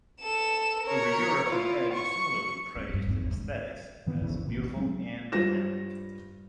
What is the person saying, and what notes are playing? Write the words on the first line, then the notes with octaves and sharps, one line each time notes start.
A reviewer from "Edge" similarly praised the aesthetics as "beautiful" and dynamic.
A4 E7
A#4 C#5
E4 F4
C#6
G#3 C#4
G#1 G2
G#1 E2
G#2 D3
G2 D#3 E3 B3
G#1 D2 C#3 E3
G#1 A#2
D2 B2
F#3 G#3 C4 C#4
G2 F4 C5 A#6 E7